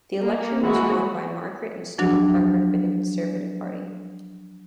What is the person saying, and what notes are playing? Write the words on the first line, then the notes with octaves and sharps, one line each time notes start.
The election was won by Margaret and Stuart Parker for the Conservative Party.
A#3
E3 G#3 F#4
F3 F#3 D4 F#4